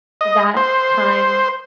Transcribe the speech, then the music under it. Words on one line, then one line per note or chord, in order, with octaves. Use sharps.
that time
D#5
C5